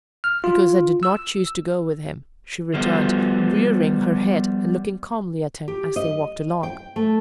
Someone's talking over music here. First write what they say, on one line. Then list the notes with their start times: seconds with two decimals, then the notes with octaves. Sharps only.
"Because I did not choose to go with him," she returned, rearing her head and looking calmly at him as they walked along.
0.24 F6
0.44 F4
1.03 E6
2.74 F3 G3 B3
5.68 G4
5.96 D#5
6.63 G5
6.96 A3